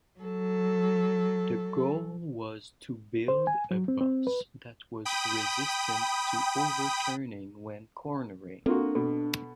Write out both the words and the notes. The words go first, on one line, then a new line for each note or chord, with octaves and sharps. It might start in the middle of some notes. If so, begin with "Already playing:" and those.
The goal was to build a bus that was resistant to overturning when cornering.
F#3 A4
C5
G#5
F#3
C4
C4
B4
G5 B5 D#6
A#3 C4 D4 F4 F#4 A4
B2 A4